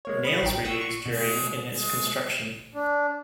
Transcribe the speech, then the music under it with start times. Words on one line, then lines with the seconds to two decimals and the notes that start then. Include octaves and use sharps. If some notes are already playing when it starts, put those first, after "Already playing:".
Nails were used during in its construction.
0.05 G#3 A#3 C#5
0.25 B5 D#6
0.42 A1 D#3 G5
0.64 F#5 C#6 D#6 E6
0.81 C#6
1.06 B2
2.75 D4